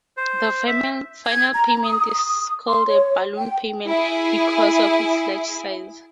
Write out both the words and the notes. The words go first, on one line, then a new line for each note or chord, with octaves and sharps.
The final payment is called a "balloon payment" because of its large size.
C5
E5
G#6
A#5
D#6
D#6
C6
C#5
G5
E4 G#4